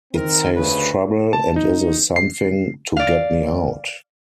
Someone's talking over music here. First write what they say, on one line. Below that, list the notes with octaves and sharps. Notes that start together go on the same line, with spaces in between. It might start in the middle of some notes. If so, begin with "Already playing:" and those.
It saves trouble, and is a something to get me out.
D#3 C4 A#4
D2 C#3 B4
A5
D#4
C7
D5 F5